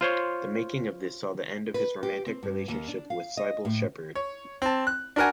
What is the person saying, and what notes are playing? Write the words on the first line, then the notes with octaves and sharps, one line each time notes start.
The making of this saw the end of his romantic relationship with Cybill Shepherd.
F4 C5 C#5
B4
G4
C4
G2
D#2
D4
F5
D#5
A2
C#5
C4 A5
F#6
D4 F#4 A#4 F#5 G#5